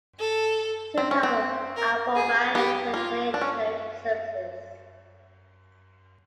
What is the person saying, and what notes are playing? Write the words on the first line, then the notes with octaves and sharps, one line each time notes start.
Citizens of Ibobang attend daily church services.
A4
C4
C#4
C4
A#4
G#4
B3 G4
A#3 F4
D4
C#4